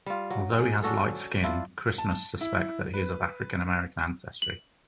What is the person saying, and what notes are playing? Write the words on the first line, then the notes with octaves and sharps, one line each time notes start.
Although he has light skin, Christmas suspects that he is of African American ancestry.
G3 F4
F#3
G#4
C#4 D4 F#4 A4
D4 E4 F4
A5
E4
B4
F#7